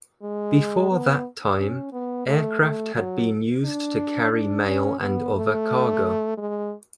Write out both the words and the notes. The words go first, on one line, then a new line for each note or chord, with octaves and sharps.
Before that time, aircraft had been used to carry mail and other cargo.
G#3
B3
C#4
B3
A3
A3
F#3
D4
D4
C#4
B3
A3
G#3